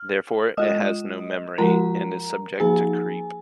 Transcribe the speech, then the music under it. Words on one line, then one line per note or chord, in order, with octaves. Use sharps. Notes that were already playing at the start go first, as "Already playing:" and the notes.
Therefore, it has no "memory" and is subject to creep.
Already playing: F6
G#3 F4 D#5 D#6
F3 G#3 F4 A#4 A#5
F3 A#3 D#4 G#4 G#5